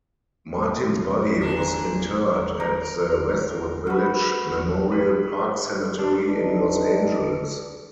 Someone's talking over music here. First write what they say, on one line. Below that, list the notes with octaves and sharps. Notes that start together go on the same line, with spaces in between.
Martin's body was interred at the Westwood Village Memorial Park Cemetery in Los Angeles.
A#2 D4
A#4
F#4 B4
B4
D4
D4 D#4 G4 B4 D5